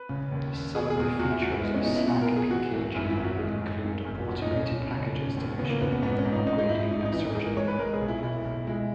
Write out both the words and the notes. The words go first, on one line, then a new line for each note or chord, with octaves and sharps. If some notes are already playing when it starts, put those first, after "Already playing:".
Some of the features of slackpkg include automated package installation, upgrading and searching.
Already playing: B4
C#3
D#2
D#2
B2 G#4
G#4
E2
G#4
E2 F#4
E4
E2 F#4
E4
G#3 B3
C#4
B2 D#4
E4
B2 F#4
A#4
B2
G#4
E3 F#4
G#1
F#2 E4
E4
G#1
F#4
G#3 G#4
F#2
G#1
F#2
E1 F#4
D#4
E1
C#4
E1
C#3
E1
D#2
C#3 B3
A#3
E1 B3
B3
G#2 B3
C#4
G#2
D#4
G#2 D#4
D#4
G#2 E4
E4
G#2 D#4
D#4
E3
D#4
G#2 G#4
A#4
G#3 C#5
B4
G#3 A#4
G#4
B1
E4
B1 E4
B1
G#3 E4